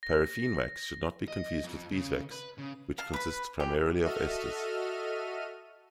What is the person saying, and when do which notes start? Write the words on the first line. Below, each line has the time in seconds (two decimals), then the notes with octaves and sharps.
Paraffin wax should not be confused with beeswax, which consists primarily of esters.
0.03 A#6
1.28 D#5
1.64 F2
1.91 C#3
2.31 B4
2.58 C#3
2.98 F5 A5
3.13 B4 B5
3.60 G4 G#4 G5
4.04 F#4 A4 D#5 E5 F6 D#7